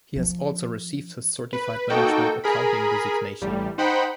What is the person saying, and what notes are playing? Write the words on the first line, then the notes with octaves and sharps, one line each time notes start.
He has also received his Certified Management Accounting designation.
F3
B4
A#3 D#4 F#4 A4 G5
G#4 A#4 B5
A1 G3
D#4 C5 F#5 G5 B5